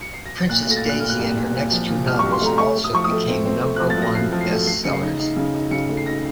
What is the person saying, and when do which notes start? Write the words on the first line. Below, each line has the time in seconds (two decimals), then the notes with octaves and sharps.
"Princess Daisy" and her next two novels also became number one bestsellers.
0.01 C#7
0.14 C7
0.26 A#6
0.38 A6
0.49 A#2 F#6
0.62 F#6
0.67 A3 A#6
0.76 A6
0.85 A#2 F#6
1.00 A#2 F6
1.10 F#6
1.19 C2
1.37 A#2
1.54 A#2
1.72 F3
1.89 A#2
2.06 C2 F6
2.19 C#6
2.23 C2
2.32 C6
2.41 A3 A#5
2.58 A3 C#6
2.76 A3
2.84 D#6
2.93 F3 C#6
3.04 D#6
3.11 A3
3.28 C4
3.45 C4
3.62 A3
3.76 F3 F#6
3.90 A6
3.98 F3 A#6
4.15 F3 C7
4.32 F3
4.41 C7
4.50 A3
4.67 A3 C7
4.84 C#3 C#7
4.93 C7
5.02 D#4
5.20 D#4
5.36 C#3
5.55 D#4
5.71 C#3 C#7
5.89 A3
5.97 C7
6.06 D#4 A#6